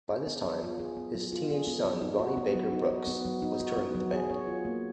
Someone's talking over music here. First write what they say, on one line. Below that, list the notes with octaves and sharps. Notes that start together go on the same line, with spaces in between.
By this time, his teenage son Ronnie Baker Brooks was touring with the band.
G#4
B3
F#3
F4
G#4
B3
F#3
F4
G#4
B3
F#3
D#4
F#4
B3
F#3
D#4
F#4
B3
F#3
D#4
F#4
B3
F#3
G#4
C#5
F4
A#3